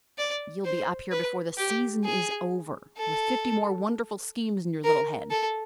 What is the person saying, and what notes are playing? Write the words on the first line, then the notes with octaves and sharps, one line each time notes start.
You'll be up here before the season is over, with fifty more wonderful schemes in your little head.
D5
C5
B4
G4
G#4
A4
A#4
A4